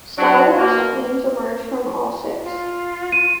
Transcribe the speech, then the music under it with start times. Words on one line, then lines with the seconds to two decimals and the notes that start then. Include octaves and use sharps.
Stylized flames emerge from all six.
0.17 F#3 D4 F#4
0.57 B2 A#3
2.43 F4
3.12 D#7